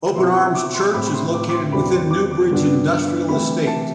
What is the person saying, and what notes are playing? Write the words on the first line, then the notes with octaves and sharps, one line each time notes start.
Open Arms Church is located within Newbridge Industrial Estate.
B2 F#3 C4 E4 C6
C6
D6
C6
A2 G3 C4 E4 B5
B5
C6
D6
D6
C6
E2 B2 G3 C4 B5
C6
D6
D6
G2 D3 G3 B3 D4
C3 E3 A3 E4 B5
A5